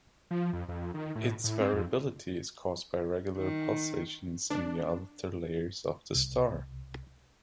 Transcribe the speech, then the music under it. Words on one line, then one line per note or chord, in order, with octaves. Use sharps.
Its variability is caused by regular pulsations in the outer layers of the star.
F3
F2
F2
D#3
A2
A2
C4
F2
D#3
D4
C2